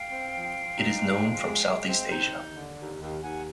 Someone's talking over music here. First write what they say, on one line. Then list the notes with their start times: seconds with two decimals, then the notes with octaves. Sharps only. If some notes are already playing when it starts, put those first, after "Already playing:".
It is known from southeast Asia.
Already playing: F5 G5
0.11 C4
0.34 F3
0.56 F3
0.78 D#4
1.00 G#3
1.22 F3
1.44 G#3
1.66 G#3
1.89 C4
2.11 D#4
2.33 D#2
2.55 D3
2.77 D#2
3.00 D#2
3.21 D#2 F#5 G#5